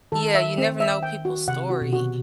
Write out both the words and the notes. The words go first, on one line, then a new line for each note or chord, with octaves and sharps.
Yeah, you never know people's story.
D#3 A4
E5
C4
E5
G5
F#4
C3 F#5
F#4
B2
F#4